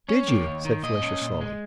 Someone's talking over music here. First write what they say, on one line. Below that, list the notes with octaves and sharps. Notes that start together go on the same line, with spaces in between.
"Did you?" said Felicia slowly.
C#4 C#5
A#3
D#2
D#3
A#2 D#5
C#4
A#2
G#3